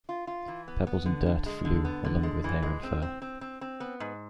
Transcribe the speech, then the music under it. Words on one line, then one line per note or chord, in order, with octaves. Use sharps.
Pebbles and dirt flew along with hair and fur.
F4
F4
E3
B3
B3
D3
D3
G#3
D3
B3
D3
G#3
E3
G#3
C4
C4
C4
C4
C4
B3
G#2